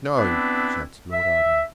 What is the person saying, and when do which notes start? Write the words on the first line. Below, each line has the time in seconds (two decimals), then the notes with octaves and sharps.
"No," shouted Lord Arden.
0.17 B3 C4 D4 E4 B4
1.12 E5